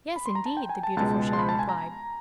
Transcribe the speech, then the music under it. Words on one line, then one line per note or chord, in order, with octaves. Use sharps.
"Yes, indeed!" the beautiful shell replied.
B5
C6
A#5
A5
G5
G#5
A5
C#2 B2 G#3 A5
C6
B5
A5
G#5
A#5